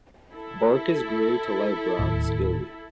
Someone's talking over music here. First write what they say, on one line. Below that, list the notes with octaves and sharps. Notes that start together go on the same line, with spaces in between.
Bark is gray to light brown, scaly.
E4 A4
D1 D#2 A2